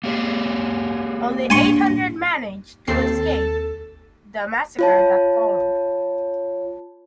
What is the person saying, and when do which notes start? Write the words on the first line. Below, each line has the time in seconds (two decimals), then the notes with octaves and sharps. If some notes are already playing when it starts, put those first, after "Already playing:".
Only eight hundred managed to escape the massacre that followed.
0.04 A#3 G4 G#4
1.50 D4 G#5 C6 C#6
2.87 D#2 C4 A4 C7
4.79 F4 C#5 A5